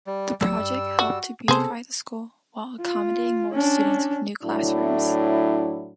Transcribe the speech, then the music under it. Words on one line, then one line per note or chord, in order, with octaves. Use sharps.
The project helped to beautify the school, while accommodating more students with new classrooms.
G3
D1 F#3 G3 A3 E6
G2
F#4
C3 B3 C4 G#4 A4 C5
F4
C#4 D4
A2 F#3 D4 E4